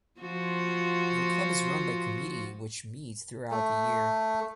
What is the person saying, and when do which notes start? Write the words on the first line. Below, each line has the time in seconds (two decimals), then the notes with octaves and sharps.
The club is run by committee which meets throughout the year.
0.21 F3 F4 F#4
3.51 A3